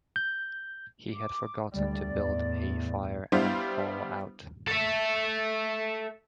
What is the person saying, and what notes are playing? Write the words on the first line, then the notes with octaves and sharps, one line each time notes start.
He had forgotten to build a fire and thaw out.
G6
D6
D2 G3 D5
E2 A2
G3 B3 D4 E4 C5 F5
A4 E5